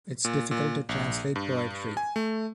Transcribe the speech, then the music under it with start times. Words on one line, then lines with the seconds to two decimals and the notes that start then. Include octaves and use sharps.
It's difficult to translate poetry.
0.25 A#2
0.51 A#2
0.89 A#1
1.36 G2
1.97 G#5
2.16 A3